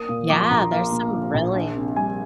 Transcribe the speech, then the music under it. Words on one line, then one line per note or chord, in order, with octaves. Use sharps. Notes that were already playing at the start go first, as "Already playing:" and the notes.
Yeah, there's some really
Already playing: A#3 D#6
A#2
F3 D6
C6
A#1 A#5
A#5
A#3 F5
A#2
F3
A#1
D4
C3
G3 G#5